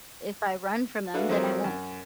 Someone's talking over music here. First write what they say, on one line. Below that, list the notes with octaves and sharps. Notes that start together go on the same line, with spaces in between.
if I run from them, then I won't
D4 F#4 A4 B4 E5 F5
F3 F#3 A3 C4 A#4 C5
F#2